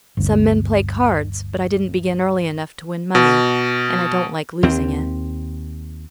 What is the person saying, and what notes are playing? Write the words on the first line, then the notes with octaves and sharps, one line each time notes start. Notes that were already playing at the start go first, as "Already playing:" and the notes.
Some men play cards; but I didn't begin early enough to win money, and I don't like losing it.
G1 D2
B2
D#2 C4